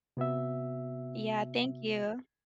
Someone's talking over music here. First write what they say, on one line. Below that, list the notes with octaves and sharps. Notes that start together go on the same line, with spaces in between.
Yeah, thank you.
C3 B3 F#4 E5